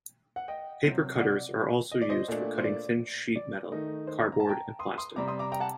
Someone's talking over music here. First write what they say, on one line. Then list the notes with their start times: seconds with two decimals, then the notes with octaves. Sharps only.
Paper cutters are also used for cutting thin sheet metal, cardboard, and plastic.
0.36 F#5
0.48 D#5 G5
0.84 C3 F#3 C4
1.14 D#5
1.21 D5 F#5
1.92 D#5
2.01 D5
2.09 C5 D#5
2.28 A#2 A3 D4
2.58 C5
2.64 D5
3.36 D5
3.72 D#3 A3 D#4
4.07 C5
4.19 D5
4.32 A#5
4.40 A5
4.49 G5 A#5
4.79 C6 D#6
4.98 C6 D#6
5.16 C3 G3 C4 A#5 D6
5.28 C6 D#6
5.39 A#5 D6
5.52 G5 A#5
5.60 F#5 A5